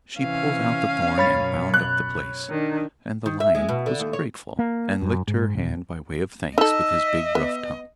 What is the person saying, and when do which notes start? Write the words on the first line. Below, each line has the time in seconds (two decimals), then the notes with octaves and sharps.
She pulled out the thorn and bound up the place, and the lion was grateful, and licked her hand by way of thanks with his big rough tongue.
0.19 C3 E3 C#4 F5
1.18 F#2 B2 C#5 B5 A6
1.74 F#6
2.50 D#3 D4
3.26 D#3
3.40 E5
3.55 G#3
3.69 B2
3.86 D3
4.00 D#2
4.13 C#5
4.59 A#3
5.02 F#2
5.28 G#2
5.55 D#1
6.58 D#4 A4 D#5 E5
7.35 B3